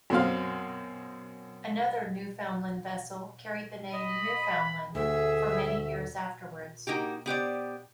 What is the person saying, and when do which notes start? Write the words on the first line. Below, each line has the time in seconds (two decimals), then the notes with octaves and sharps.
Another Newfoundland vessel carried the name "Newfoundland" for many years afterwards.
0.10 F#2 B2 C4 F5
3.92 D#5 B5
4.95 D2 G#4 E5
6.87 A#3 D#4 F#4 G4
7.26 B3 G4 C5 D5